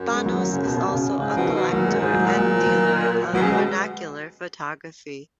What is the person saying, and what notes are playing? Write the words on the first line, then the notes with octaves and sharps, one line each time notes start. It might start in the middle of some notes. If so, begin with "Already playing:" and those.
Bannos is also a collector and dealer of vernacular photography.
Already playing: F#2
G#3
F#3
F#3
C#3
B2
B2
C#3
G#2 C#3
B2 F3
D#3
B2
A#2 F#3
G#3
F#2
G#2 D#3
F#3
A#2 G#3
F#3
F3
F#3
B2 F#3
C#3
B2 G#3